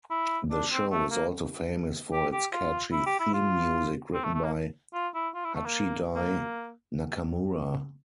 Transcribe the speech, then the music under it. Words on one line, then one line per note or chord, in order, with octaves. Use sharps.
The show is also famous for its catchy theme music written by Hachidai Nakamura.
E4
D4
C4
A3
A#3
G4
G4
F4
E4
G4
E4
F4
C4
A3
A3
A#3
F4
E4
F4
E4
A3
A#3
A#3